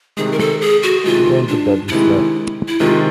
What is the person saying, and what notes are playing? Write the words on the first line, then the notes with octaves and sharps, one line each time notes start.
He went to bed and slept.
C3 D#3 G#3 G#4
A#4
A4
G#4
F#4
C3 D#3 G#3 F4
D4
F4
C3 D#3 G#3 E4
E4
C3 D#3 G#3 F4